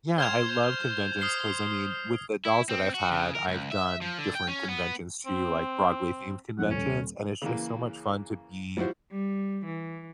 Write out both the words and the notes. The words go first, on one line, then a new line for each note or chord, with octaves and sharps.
Yeah, I love conventions 'cause, I mean, with the dolls that I've had, I've done different conventions too, like Broadway themed conventions, and it's just so much fun to be
C5 C6 F6 G#6 F7
D#6 F6 C7
E4
C4
F#4
C#3
A#4
C#2
E5
F3
D3
G5
C#4
B3
C4
F2 A2 F#5
D#1 C#4
C#3 E3 A#3
F3 G3 E4 F#4 C5
G3
E3